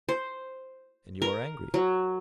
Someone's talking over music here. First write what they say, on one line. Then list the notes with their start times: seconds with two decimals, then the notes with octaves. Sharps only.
And you are angry!
0.09 C5
1.22 A#4
1.74 F#3